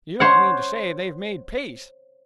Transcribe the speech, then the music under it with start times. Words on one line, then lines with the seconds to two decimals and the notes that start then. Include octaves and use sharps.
"You don't mean to say they've made peace?"
0.20 C5 C#5 F#5